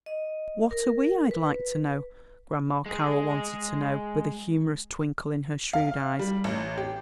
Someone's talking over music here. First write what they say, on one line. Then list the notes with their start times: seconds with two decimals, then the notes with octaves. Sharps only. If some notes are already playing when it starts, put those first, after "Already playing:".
"What are we, I'd like to know?" Grandma Carroll wanted to know, with a humorous twinkle in her shrewd eyes.
0.06 D#5
0.71 A#4
1.31 B4
2.86 G#3 G#4
5.73 F5
6.19 G3
6.44 A1
6.77 G4